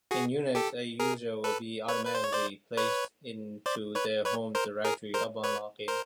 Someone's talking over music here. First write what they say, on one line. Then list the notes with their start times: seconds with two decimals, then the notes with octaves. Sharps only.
In Unix, a user will be automatically placed into their home directory upon login.
0.11 F#4 G#4
0.55 G4 A4
1.00 G#4 A#4
1.44 A4 B4
1.88 B4 C#5
2.05 B4
2.15 C5
2.24 C#5
2.33 C5 D5
2.77 B4 C#5
3.66 C5 D5
3.95 B4 C#5
4.25 B4 C#5
4.55 A#4 C5
4.85 G#4 A#4
5.14 A#4 C5
5.44 B4 C#5
5.88 A#4 C5